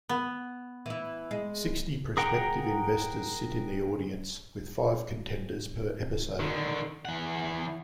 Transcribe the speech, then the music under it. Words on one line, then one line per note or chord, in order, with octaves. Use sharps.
Sixty prospective investors sit in the audience, with five contenders per episode.
B3
E3 E4
G#3
G#4 A#4 F#5 G5 A#5
D3 D#3
E3 F#5